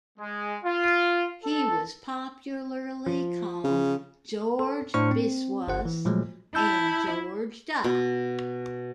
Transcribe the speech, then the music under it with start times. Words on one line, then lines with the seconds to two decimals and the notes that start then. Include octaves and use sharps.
He was popularly called "George Biswas" and "George Da".
0.19 G#3
0.64 F4
1.44 A4
3.06 F3
3.64 C#3
4.59 A4
4.94 A2 D4 C5 C#6 F6 C#7
5.11 C4
5.68 G1 C5 F#5
5.85 E3
6.05 A#2 F3 F#3 G#3 A3
6.55 E4 A5 E6 G6
7.84 B2